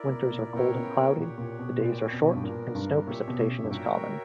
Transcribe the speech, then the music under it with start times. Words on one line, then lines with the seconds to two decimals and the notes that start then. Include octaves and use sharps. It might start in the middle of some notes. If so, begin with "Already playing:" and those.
Winters are cold and cloudy; the days are short and snow precipitation is common.
Already playing: E4 A#4 D5
0.13 B2
0.33 A#2
0.54 A#2 B3 E4 A#4 C#5 G5
0.75 C#3
1.17 A#2 G4 C#5 F#5
1.38 A#2
1.59 B2
1.81 A#2 C#4 F#4 B4 D5 G5
2.13 B2
2.34 G2
2.44 A#2 B3 D4 A#4
2.75 G2
3.07 A#2 G4 C#5 E5
3.28 B2
3.48 C#3
3.64 G2
3.70 A#2 F#4 A#4 C#5 E5 G5